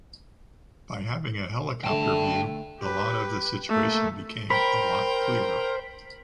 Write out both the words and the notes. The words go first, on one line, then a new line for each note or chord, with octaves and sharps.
By having a helicopter view, a lot of the situation became a lot clearer.
D3 A3 G5 A5
G4 B4
A3 A#3
A#4 C5 G5 B5